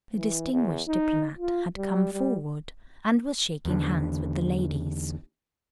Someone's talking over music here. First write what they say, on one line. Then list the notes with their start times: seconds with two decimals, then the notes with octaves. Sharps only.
The distinguished diplomat had come forward and was shaking hands with the ladies.
0.16 E3
0.53 E2
0.88 D#4
1.38 F4
1.78 G3
2.13 G3
3.65 E2 D3